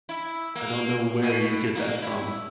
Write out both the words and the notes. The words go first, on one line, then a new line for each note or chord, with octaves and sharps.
I don't know where you get that from.
E4
A#3
B2
A#3
E4